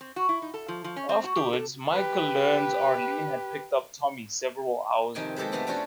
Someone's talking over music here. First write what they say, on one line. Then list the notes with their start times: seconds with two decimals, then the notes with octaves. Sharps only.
Afterwards, Michael learns Arlene had picked up Tommy several hours earlier.
0.01 C4
0.16 F#4
0.29 E4
0.42 D#4
0.54 A4
0.68 F3
0.84 F3
0.96 C#4
1.09 C4
1.24 F#4
1.36 G4
1.53 A4
1.91 G4 B4
5.15 F2 C3 D#3 G5 G#5
5.36 G#3 G4 A4 B4 C5
5.52 C3 A3 B3 C4
5.67 C#4 D4 F4 F#4 C5 C#5